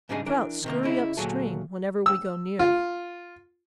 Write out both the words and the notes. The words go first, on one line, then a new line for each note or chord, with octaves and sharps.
Trout scurry up stream whenever we go near.
G#2 C#3 G3 D4 D#4 G#4
E3 D4 A#4
C3 D#3 A#3
C#3 D#4 E4
D2 A#2 F#3 G#4 A4
E6
F4